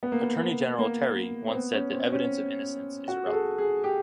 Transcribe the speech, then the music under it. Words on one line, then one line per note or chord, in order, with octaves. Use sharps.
Attorney General Terry once said that Evidence of innocence is irrelevant.
B3
A#3
B3
A#3
C4
B3
C#4
C4
C#4
F#4
G#4
A4
G#4
G4